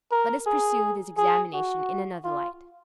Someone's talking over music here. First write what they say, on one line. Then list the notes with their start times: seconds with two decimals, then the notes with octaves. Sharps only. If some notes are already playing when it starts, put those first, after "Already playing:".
Let us pursue this examination in another light.
0.12 A#4
0.46 G#4
1.17 G#4
1.54 F#4
2.24 F4